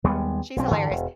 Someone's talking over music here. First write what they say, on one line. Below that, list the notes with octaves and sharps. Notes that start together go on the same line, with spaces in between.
she's hilarious,
D#2 G3 G#3 B3
B1 F3 C4
G2 D3 E3
E1